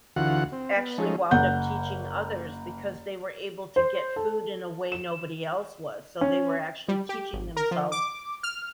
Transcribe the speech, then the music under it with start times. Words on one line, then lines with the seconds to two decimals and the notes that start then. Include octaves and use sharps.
actually wound up teaching others because they were able to get food in a way nobody else was, so, they were actually teaching themselves
0.16 D2 E3 F4 F#4 F#5
0.52 C4
0.76 B3
0.98 F3 G#3 A3 C#4 D#4
1.31 F#1 F#5 G6
3.76 C5
4.16 A4
4.92 E7
6.21 C#4
6.88 G3
7.09 G4
7.33 G#1
7.56 A#4
7.71 F3
7.92 D6
8.43 F6